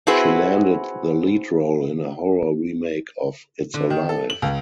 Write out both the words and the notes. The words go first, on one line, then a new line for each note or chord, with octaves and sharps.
She landed the lead role in a horror remake of "It's Alive".
C4 E4 F#4 G#4 B4
D3
D#3
A4
F#7
C#2